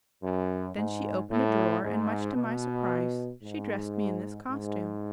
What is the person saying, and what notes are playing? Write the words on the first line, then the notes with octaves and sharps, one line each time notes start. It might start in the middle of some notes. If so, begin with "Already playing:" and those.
Then she opened a drawer, and much to my surprise she dressed me in this costume.
F#2
G#2
A2
G#2
B2
G#2
G#2